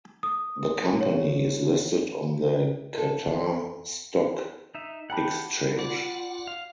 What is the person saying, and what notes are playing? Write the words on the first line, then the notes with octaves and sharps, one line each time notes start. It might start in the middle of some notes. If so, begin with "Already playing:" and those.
The company is listed on the Qatar Stock Exchange.
D#6
C#5
A4
D#4 E5
G4 F#5 G5 A5 B5
F4 D5 F#5
F5